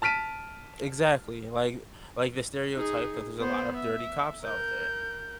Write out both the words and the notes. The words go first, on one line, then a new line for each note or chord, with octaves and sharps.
Exactly, like like the stereotype that there's a lot of dirty cops out there.
A5 F6 B6 D7 D#7
D#4 G#4
B3 C5
E5
A#4 G6